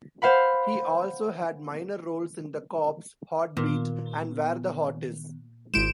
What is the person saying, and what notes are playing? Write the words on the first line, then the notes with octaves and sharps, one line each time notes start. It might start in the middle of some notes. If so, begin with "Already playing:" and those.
He also had minor roles in "The Cops", "Heartbeat" and "Where the Heart Is".
C5 F5 F#5 B5
A#2 D#3 B3
G#1 G#3 E4 C5 D7 E7